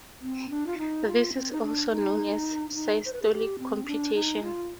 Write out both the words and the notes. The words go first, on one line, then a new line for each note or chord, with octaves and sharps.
This is also known as systolic computation.
C4
D4
F4
D#4
F4
C4
D#4
D4
D#4
D4
D#4
C5
B4
G#4
G4
C4
D4
D#4
F4